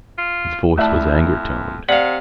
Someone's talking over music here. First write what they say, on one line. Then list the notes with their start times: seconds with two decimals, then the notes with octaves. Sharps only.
His voice was anger-toned.
0.18 F4
0.78 F2 A3 E4 D5 E5 A5
1.89 C3 D5 F5 F#5